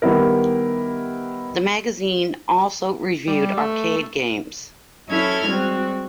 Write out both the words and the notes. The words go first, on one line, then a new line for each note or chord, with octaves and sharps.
The magazine also reviewed arcade games.
D#3 G3 B3 E4 A#4
G3
A3
F#3 C#4 E4 A4 F6 G#6
G3 G#3 C4 F#4